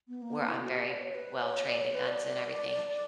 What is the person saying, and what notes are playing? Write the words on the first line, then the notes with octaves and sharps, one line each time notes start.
where I'm very well-trained in guns and everything,
B3
A#3
B3
E4
F#4
G4
D5
C#5
B4
C#5
D5
C#5
B4
D5